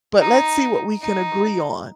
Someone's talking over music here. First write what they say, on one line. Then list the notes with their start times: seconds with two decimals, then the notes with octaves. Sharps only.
but let's see what we can agree on,
0.21 D#4
1.02 D#4